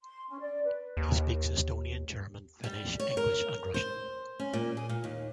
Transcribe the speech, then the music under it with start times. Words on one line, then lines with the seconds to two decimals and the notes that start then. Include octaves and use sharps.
He speaks Estonian, German, Finnish, English and Russian.
0.01 C6
0.29 C#4
0.40 D5
0.64 B4
0.97 D#2
2.64 G3
2.99 C#5
3.17 A#4
3.74 C5
4.39 C#4
4.53 A#2
4.77 G#4
4.89 A#2
5.04 D#2